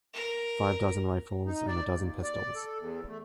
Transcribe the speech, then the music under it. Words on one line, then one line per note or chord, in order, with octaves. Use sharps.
Five dozen rifles and a dozen pistols.
A#4
D#4
D5
D#2
D5
A4
E2
A3